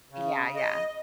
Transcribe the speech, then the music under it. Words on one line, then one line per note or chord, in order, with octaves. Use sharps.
Yeah, yeah.
C#3
D#5